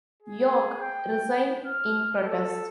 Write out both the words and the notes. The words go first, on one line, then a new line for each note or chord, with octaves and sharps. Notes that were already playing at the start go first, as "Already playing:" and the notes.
York resigned in protest.
G#4
G5
F6
A4